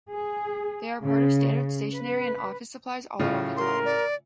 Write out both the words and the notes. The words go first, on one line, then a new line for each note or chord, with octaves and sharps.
They are part of standard stationery and office supplies all around the globe.
G#4
C#3
B4
A2 C#3 F4
A#4 C6
D5